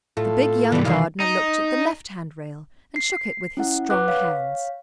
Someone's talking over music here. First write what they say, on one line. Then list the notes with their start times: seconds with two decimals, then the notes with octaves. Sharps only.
The big, young gardener looked at the left-hand rail and shook it with his strong hands.
0.17 A2 A3 F4 A4
0.72 C2 G#2 E3 G3 D5
0.85 E2 B2 D#3 F5 C7
1.20 D#4
2.96 C7
3.57 C#4 E4 F#5
3.90 B4 F#5 D6 F#6
4.08 C#5 F5